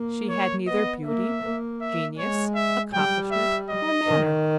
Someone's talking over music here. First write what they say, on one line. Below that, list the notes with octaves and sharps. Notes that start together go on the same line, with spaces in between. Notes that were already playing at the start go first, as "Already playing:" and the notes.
She had neither beauty, genius, accomplishment, nor manner.
Already playing: A#3
C#5
B3 D#5
A#3 E5
A#3
E5
G#3 C#5
E5
G3 G5
E5
D#5
D#3